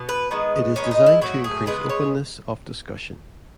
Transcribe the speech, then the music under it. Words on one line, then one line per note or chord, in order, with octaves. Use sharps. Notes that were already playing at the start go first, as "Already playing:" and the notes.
It is designed to increase openness of discussion.
Already playing: B2 B3
B4
D#3 G#3 B3
D#3 G#3 B3 C#4
D#4
E4
A2 F#3 A3 F#4
G#4
C#3 G#3 B3 B4
C#5